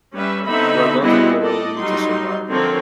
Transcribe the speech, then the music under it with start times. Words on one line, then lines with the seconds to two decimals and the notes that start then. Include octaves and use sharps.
We are going to do whatever we need to do to survive.
0.15 G3 C#4 B4 E5
0.46 D3 B3 C4 D#4 E5 B5
1.02 G3 B3 C4 E4 G#4 D#5
1.40 A4 D5 D#5
1.78 F#3 G3 D#4 C6
2.50 D3 F3 C4 F4 A#4 C#5